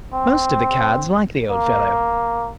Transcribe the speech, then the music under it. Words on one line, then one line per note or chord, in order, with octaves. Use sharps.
Most of the Cads like the Old Fellow.
C4
A#3